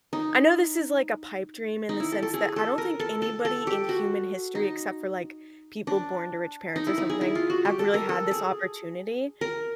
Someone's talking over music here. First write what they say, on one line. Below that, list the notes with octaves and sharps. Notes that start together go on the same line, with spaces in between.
I know this is like a pipe dream in the sense that I don't think anybody in human history except for, like, people born to rich parents or something have really had this opportunity,
D#4
D#4
E4
A4
A4
G#4
A4
A#4
A4
A4
A4
G4
F#4
D#4
D4
D#4
E4
D#4
G#4
E4
F4
F#4
G4
A4
A#4
A4
G#4
A#4